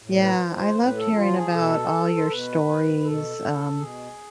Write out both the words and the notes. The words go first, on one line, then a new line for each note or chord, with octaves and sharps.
yeah, I loved hearing about all your stories, um,
A2
B4
F3
C5
A2 B4
A4
F3 F4
G#4
B2 A4
C5
B2 B4
B2 A4
B2 G#4